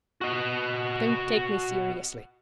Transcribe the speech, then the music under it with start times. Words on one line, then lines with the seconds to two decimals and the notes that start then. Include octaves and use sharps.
Don't take me seriously.
0.21 F#4 D#5